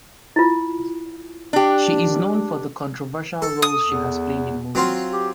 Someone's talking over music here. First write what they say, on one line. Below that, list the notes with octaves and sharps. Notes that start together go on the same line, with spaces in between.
She is known for the controversial roles she has played in movies.
E4 F4
D4 G4
A4
D#6
E2
F#3 C4 F4
G4